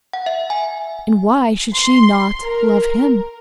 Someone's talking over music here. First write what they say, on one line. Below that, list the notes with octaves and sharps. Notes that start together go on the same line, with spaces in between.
And why should she not--love him?
F#5
E5
G#5
C6
A#4